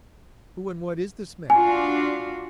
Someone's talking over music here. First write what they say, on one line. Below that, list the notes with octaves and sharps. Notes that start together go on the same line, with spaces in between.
"Who and what is this man?"
D4 F4 F#4 G#5